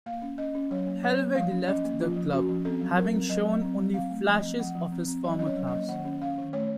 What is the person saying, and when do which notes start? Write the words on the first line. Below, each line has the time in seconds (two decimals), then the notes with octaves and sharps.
Helveg left the club, having shown only flashes of his former class.
0.06 A#3 F5
0.22 C#4
0.38 C#4 D#5
0.55 C#4
0.71 F#3 C#5
0.87 A#3
1.03 F#3 C#5
1.19 A#3
1.35 F3 F5
1.52 C#4
1.68 C#4 D#5
1.84 A#3
2.00 F3 F4
2.16 F3
2.33 C#4 F#4
2.49 F3
2.65 C4 A4
2.81 F#3
2.98 F#3 A#4
3.14 C4
3.29 F#3 D#5
3.46 F#3
3.62 C4
3.78 F#3
3.94 C4 F5
4.10 A3
4.27 F3 D#5
4.43 C4
4.59 F3 F#5
4.75 F3
4.92 C4
5.08 C4
5.24 F#3 D#5
5.39 C#4 D#5
5.46 C#5
5.57 F#3
5.67 D#5
5.73 A#3
5.89 D#3 F#5
6.05 C#4
6.22 C#4 F5
6.38 D#3
6.53 A3 C#5